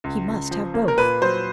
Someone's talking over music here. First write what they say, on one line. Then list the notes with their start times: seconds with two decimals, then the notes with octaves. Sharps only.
He must have both.
0.04 C#2
0.28 C#2
0.51 F3
0.74 A#3
0.88 A#4
0.98 A#2 B4
1.22 F#3 C5